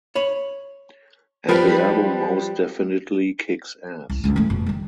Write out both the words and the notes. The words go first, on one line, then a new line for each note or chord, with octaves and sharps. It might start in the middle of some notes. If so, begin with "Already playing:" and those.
And the album most definitely kicks ass.
C#5 B5
F3 G3 A#4 B4
C2
C#2 G2
E3 A3
F1 B2
D#3 G3